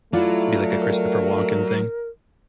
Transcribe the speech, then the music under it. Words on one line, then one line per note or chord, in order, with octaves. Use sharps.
be like a Christopher Walken thing.
F#3 A3 E4 F4 D5
A#4